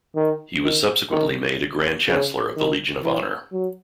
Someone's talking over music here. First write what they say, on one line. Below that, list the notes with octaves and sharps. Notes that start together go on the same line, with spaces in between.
He was subsequently made a Grand Chancellor of the Legion of Honour.
D#3
D#3
D#3
C#3
D#3
E3
F#3